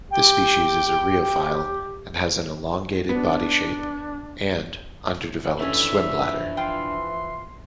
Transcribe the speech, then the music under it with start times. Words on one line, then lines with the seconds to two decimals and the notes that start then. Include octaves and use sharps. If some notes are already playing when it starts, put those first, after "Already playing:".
This species is a rheophile and has an elongated body shape and underdeveloped swimbladder.
0.11 G4 G5
3.09 B3 D4
5.59 E3 F3 A3 C#4 D4 B4 E5
6.57 F4 G5 C6